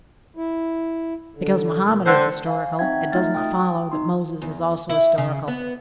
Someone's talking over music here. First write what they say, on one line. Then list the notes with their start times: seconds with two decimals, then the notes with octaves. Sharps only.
Because Mohammed is historical, it does not follow that Moses is also historical.
0.37 E4
1.36 D3
1.80 A#2
2.06 D3 C5 G5
2.47 F5 G#5
2.79 C4 D#4 E5 F#5 G5 G#6
3.12 A3 D#4 F4 E5 F6 A6
3.34 G5 D#6
3.91 D#4 C6
4.42 E2
4.89 E4
5.18 C#3
5.48 B3